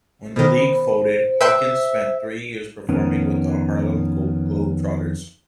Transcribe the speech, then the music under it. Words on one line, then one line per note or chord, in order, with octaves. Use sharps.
When that league folded, Hawkins spent three years performing with the Harlem Globetrotters.
B2 D#3 C5 B5
C5
B4 E5 G5 C6
F2 D#3 B3 C#4